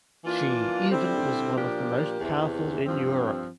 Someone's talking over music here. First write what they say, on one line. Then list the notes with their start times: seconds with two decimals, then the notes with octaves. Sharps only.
She even was one of the most powerful in Europe.
0.25 E3 A#3 D4 F4
0.89 D3 G3 C4 E4 G4
1.55 A#2 F3 A#3 D4 G4
2.19 E2 C3 E3
2.85 G2 F3 C4